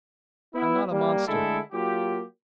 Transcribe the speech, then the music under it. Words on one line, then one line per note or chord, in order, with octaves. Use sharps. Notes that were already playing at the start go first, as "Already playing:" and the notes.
I am not a monster.
B3 E4
G3 A#3
D3 G#3 A3 E4 A4
F#3 A#3 F4 G4